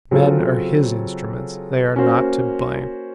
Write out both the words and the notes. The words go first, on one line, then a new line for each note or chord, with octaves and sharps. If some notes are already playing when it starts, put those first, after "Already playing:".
Men are His instruments, they are not to blame.
C#3 F#3 C4 F4 A4
A#3 C#4 F#4 C5